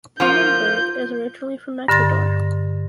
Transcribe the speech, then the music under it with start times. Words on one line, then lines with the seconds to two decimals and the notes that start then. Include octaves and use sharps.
Lindenberg is originally from Ecuador.
0.20 F3 A#3 F4 G6
1.88 G2 D3 C6 A6 A#6